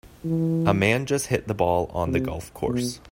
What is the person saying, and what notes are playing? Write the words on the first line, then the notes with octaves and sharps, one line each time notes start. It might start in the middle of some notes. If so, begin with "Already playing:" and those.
A man just hit the ball on the golf course.
E3
C3
B2